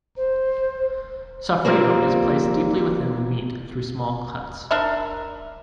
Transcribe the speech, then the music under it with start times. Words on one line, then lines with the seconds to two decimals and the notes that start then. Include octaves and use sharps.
Sofrito is placed deeply within the meat through small cuts.
0.16 C5
1.65 F3 G3 A#3 C4
4.71 D4 A#4 E5